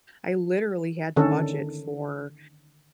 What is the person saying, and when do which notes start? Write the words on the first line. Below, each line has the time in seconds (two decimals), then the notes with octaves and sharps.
I literally had to budget for,
1.16 D3 D#3 C#4 A4